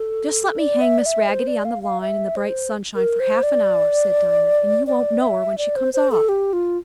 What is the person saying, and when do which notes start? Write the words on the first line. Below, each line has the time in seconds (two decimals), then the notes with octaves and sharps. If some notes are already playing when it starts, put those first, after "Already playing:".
"Just let me hang Miss Raggedy on the line in the bright sunshine for half an hour," said Dinah, "and you won't know her when she comes off!"
Already playing: A4
0.58 D5
0.81 E5
0.99 D5
1.06 E5
1.29 C5
1.47 D5
1.65 F5
1.83 F5
2.01 E5
2.36 C5
2.96 A#4
3.20 C5
3.43 D5
4.87 D5
5.22 E5
5.58 D5
5.76 C5
5.94 C5
6.12 A4
6.29 G4
6.53 F4